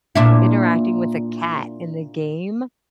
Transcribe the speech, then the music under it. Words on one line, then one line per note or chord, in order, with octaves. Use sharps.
interacting with a cat in the game,
A#2 D4 E4